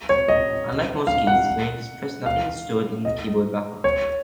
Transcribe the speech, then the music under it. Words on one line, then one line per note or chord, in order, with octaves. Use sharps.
Unlike most keys, when it is pressed nothing is stored in the keyboard buffer.
C#5
D#5
F5
F#5
F5
D#5
C#5